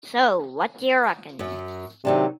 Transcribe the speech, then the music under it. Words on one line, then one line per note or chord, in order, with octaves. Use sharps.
'So What Do You Reckon?
F#2 F#3
C3 D#3 F#3 D4